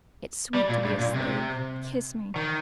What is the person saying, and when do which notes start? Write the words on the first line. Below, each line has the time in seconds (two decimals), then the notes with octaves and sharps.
It's sweet to be a slave. Kiss me!
0.54 G3
0.69 A#2
0.85 G2
0.99 A#2
1.14 C3
2.36 D#3